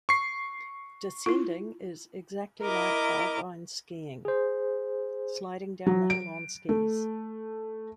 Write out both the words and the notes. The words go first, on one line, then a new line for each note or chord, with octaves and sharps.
Descending is exactly like alpine skiing: sliding down the hill on skis.
C#6 C7
E4 F4
E4 A#4 D#5 D6
G#4 C5
F#3
D7
A3